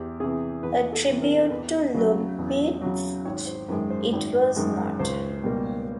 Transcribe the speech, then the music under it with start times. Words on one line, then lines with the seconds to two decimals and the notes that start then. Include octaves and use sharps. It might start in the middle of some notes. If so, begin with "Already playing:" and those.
A tribute to Lubitsch, it was not.
Already playing: E2 G4
0.20 C3 E3 G#4
0.63 E2 B4
0.93 A4
1.07 C3 E3
1.22 A#4
1.50 E2 B4
1.94 C#3 F#3
2.39 E2
2.81 C#3 F#3
3.25 G#1 C#5
3.47 C5
3.69 F#2 D#3 G#3 B4
3.90 C5
4.13 G#1
4.56 F#2 D#3 G#3
4.99 C#2 C5
5.44 B2 G3 A#3